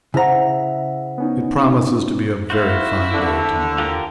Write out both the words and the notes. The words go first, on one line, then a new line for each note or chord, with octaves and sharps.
It promises to be a very fine day to-morrow.
C#3 E4 C5 E5 F#5 A#5
B3 C#4 D#4
E4 F#4 C5 F5
D3
F4 G4 A#4